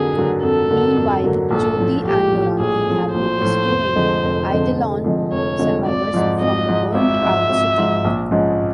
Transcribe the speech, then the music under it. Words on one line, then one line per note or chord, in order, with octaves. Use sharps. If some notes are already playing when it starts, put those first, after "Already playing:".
Meanwhile, Jothee and Noranti have been rescuing Eidelon survivors from the burnt-out city.
Already playing: F2 D3 F#3 A#3 G#4
D3 F#3 A#3
F2 A4
D3 F#3 A#3
F2
D3 F#3 A#3
A#1 A4
A2 F3
A#1 G4
A2 F3
A#1 G#4
A2 F3
A#1 C5
A2 F3
F1
F2 D3 F3 G#3
F1
F2 D3 F3 G#3
F1
F2 D3 F3 G#3
F1 C#5
F2 D3 F3 G#3
G#1 D5
G#2 F3
G#1 D#5
G#2 F3
G#1 E5
G#2 F3
G#1
G#2 F3
A#1
G#2 F3 G#3 C#4